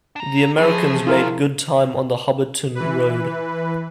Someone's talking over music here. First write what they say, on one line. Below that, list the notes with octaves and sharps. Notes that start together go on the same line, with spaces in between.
The Americans made good time on the Hubbardton road.
D4 A#5
E3 F3 A3 G#4
G#2 D3 E4 F4 A#4
E3 B4